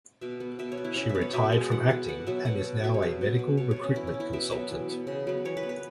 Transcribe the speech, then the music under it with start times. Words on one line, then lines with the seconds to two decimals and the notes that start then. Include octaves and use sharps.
She retired from acting, and is now a medical recruitment consultant.
0.21 B2 E5
0.40 B3
0.59 B2 E5
0.72 C#5
0.77 B3
0.84 E4
0.96 B2 C#4
1.09 E5
1.15 B3
1.21 C#5
1.33 B2 E5
1.52 G#3 B3
1.71 E3 F#5
1.90 B3
2.08 B2 F#5
2.27 F#3 B3 E5
2.45 B2 F#5
2.64 B3
2.84 B2 E5
2.94 C#5
3.02 F#3 B3 E5
3.21 B2
3.39 B3
3.57 B2 C#5
3.71 C#5
3.76 B3
3.84 C#4
3.95 E3 E4
4.07 C#4
4.14 B3
4.20 E4
4.33 B2 E5
4.52 F#3 B3 E5
4.71 E3
4.89 B3
5.07 C#3
5.27 F#3 B3
5.45 E3 C#5
5.57 B4
5.63 B3
5.69 B4